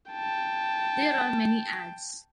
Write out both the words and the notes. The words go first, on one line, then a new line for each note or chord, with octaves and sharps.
There are many ads.
G5 A5